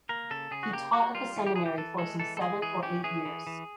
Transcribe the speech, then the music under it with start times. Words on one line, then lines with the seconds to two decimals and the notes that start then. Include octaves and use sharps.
He taught at the seminary for some seven or eight years.
0.09 A#3 A#4
0.31 C#3 A4
0.51 C#3 G#4
0.63 F#4
0.73 A#3 G4
0.93 A#3 F#4
1.15 G3 F4
1.36 E3
1.47 G4
1.56 E3 G#4
1.66 G4
1.78 E3 A4
1.98 G#3 A4
2.20 E3 A4
2.37 A4
2.41 G#3 G#4
2.62 E3 G#4
2.83 C#4 G4
3.04 E3 G#4
3.25 E3
3.47 E3